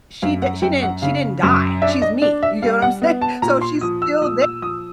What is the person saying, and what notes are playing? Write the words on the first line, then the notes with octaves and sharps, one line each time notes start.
She d she didn't she didn't die. She's me. You get what I'm saying? So she's still there
F#2 F5
F#5
F#2 G5
F#5
C#3 F5
F#2
D4 E5
D#5
D4 D5
E5
G3 F5
F#5
B3
A5
A#2 A#5
C6
F3 D#6
E6
A#2 D#6
E6
F3 D#6